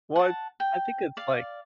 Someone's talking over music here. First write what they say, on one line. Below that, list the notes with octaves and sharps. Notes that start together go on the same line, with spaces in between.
Well it's I think it's, like
F#5 A5
G5
D5 F5